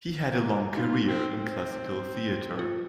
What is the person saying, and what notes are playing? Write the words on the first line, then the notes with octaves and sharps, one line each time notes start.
He had a long career in classical theatre.
A#3
D#4 F4
C4
C4
F4